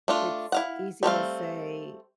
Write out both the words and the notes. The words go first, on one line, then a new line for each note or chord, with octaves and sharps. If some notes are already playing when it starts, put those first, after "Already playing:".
it's easy to say,
A3 D4 F4
E4 F5 F#5
G3 A3 C4 F5